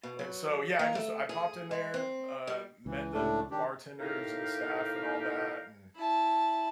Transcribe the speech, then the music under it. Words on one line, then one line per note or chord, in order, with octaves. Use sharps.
and so yeah, I just I popped in there, uh, met the bartenders, and the staff, and all that, and,
B2
F#3
A#3
A3
G#4
G#3
C4
G3
C#2 E3
A2 A3 D4
D#3 D4 G4
D#2 A2 D#4 G4 A#4 F5
E4 A5